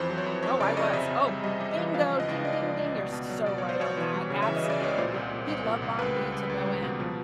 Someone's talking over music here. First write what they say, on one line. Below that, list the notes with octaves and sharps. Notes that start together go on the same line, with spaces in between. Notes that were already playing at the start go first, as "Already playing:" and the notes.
Oh, I was, oh, bingo, ding ding ding, you're so right on that. Absolutely, lo he love bombed me to no end,
Already playing: F2 E3 C5
F#3
C#5
F2
F2 C#5
C#3 D5
F2 D#5
C3 E5
C3
G3
G3 D#5
G3
E3
F3 F5
C#2
D#5
C#2
C#2 D5
F3
C#2
B2
B2
F#3
B2 D5
F#3 C#5
C5
B2 C#5
E3
G3
C#3
E3 E5
D#5
C#3
D5
C#2 C#5
A#2 C5
C2
A#2
C2
A#2
C2
C#2 B4
G3
C#2
C#2
G3
B2
F3